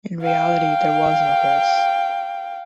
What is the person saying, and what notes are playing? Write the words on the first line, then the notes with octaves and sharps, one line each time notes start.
In reality there was no curse.
F5 G5